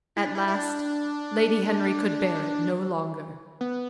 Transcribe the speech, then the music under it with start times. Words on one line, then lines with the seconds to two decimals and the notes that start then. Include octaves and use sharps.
At last Lady Henry could bear it no longer.
0.17 E4
0.26 D4
0.35 E4
0.48 E4
0.55 D4
3.61 B3